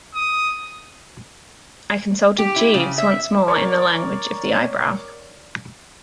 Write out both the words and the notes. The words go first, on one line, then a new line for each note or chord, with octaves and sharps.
I consulted Jeeves once more in the language of the eyebrow.
D#6
G4
E4
C#3
E5
A#4 C#5 D5 C#6